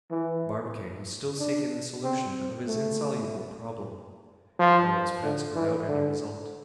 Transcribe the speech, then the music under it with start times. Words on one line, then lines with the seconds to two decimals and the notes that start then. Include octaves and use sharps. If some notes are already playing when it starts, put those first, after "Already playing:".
Barbicane was still seeking the solution of his insoluble problem. Hours passed without any result.
0.11 E3
1.40 D4
2.03 C4
2.68 A3
4.60 F3
5.23 D3
5.56 E3
5.87 D3